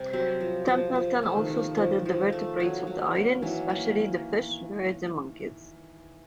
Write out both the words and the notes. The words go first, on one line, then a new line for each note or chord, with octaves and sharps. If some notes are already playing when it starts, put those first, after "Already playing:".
Templeton also studied the vertebrates of the island, especially the fish, birds and monkeys.
Already playing: C3 G3
F#3 C4
F3
F3
F3
A3
D#3
F3
F3
F3
A3
F#3
F#3
A#3
E3 F#3
A#3